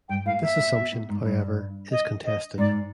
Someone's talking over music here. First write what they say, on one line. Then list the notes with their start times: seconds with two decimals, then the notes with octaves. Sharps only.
This assumption, however, is contested.
0.09 G2 G5
0.26 A2 F5
0.42 A#2 E5
0.59 A#2
0.75 B2
0.92 A2
1.09 G#2
1.25 G2
1.91 D#5
2.25 D#5
2.58 G#2 D5